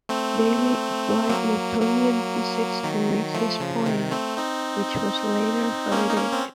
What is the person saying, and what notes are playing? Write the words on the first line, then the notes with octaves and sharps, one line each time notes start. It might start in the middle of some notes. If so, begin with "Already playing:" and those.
Daly applied Newtonian physics to make his point, which was later validated.
A3 C4
F#3 A#3
F#3 A#3
D#3 F#3
F3 A3
C#3 F3
C3 D#3
A3 C4
C4 D#4
A#3 C#4
D#4
A#3 C#4
C4